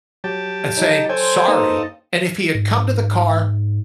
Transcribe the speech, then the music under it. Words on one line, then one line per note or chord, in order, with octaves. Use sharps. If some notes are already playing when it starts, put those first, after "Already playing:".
and saying "Sorry," and if he had come to the car,
F#3 G4 A5
D#4 C#5
A4 C5 C#5 G5 G#5 C6
A#3 D#4 A4 B4 F5 G5 A#5
G#2